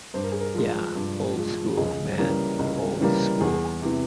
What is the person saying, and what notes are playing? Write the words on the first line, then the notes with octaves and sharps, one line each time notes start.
Ya, old school, man, old school.
G2 C5
A#4
G#4
A#4
F3 G#3
G2
F3 G#3
C#2 G#4
C#3 E3 G3 A#3
C#2
C#3 E3 G3 A#3
E2 G#4
C3 E3